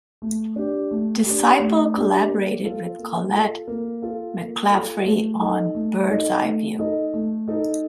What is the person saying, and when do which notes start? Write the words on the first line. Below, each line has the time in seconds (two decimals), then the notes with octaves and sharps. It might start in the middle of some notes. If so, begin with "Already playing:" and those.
Disciple collaborated with Collette Mclaffery on "Birdseye View".
0.22 A3
0.56 D4 G4
0.91 A3
1.26 D4 G4
1.60 A3
1.94 D4 G4
2.29 A#3
2.64 F4 A4
2.99 A#3
3.33 F4 A4
3.68 A#3
4.02 F4 A4
4.37 A#3
4.71 F4 A4
5.05 A3
5.40 D#4 A4 D#5
5.75 A3
6.10 D#4 A4 D#5
6.44 A3
6.78 D#4 A4 D#5
7.14 A3
7.48 D#4 A4 D#5